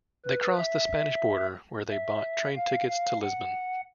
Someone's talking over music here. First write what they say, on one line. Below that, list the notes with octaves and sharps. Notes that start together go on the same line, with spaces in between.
They crossed the Spanish border, where they bought train tickets to Lisbon.
B4
E5
E5
F5
F5
F#5